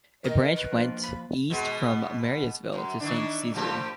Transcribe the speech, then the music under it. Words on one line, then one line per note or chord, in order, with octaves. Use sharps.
A branch went east from Mariesville to Saint Cesarie.
D#3 A#4 D#5
B4
F3 A#3 D4
B5
B2 G#3 B3
F#2
D#3 E3 D4
A2 F3 G4